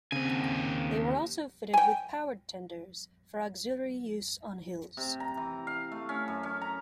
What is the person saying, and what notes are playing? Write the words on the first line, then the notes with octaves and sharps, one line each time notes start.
They were also fitted with powered tenders for auxiliary use on hills.
D#2 C#3 C4 G#5
G5 G#5
C3
A#5
E3
F5
A3
C#4
F#2
C#4
A#5